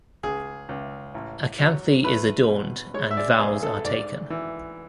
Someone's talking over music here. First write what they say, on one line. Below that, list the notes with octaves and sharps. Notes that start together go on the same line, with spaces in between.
A kanthi is adorned and vows are taken.
C#2 G#4
C#2
A1
F#3
E2 B4
B2
G#3 C#5
E5
D5
B1 G#4
A4
G#2 D5
E3